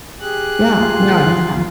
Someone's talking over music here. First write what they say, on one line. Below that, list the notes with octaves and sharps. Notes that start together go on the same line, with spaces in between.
Yeah, no, that's fine.
G4 G#4 F#6
F4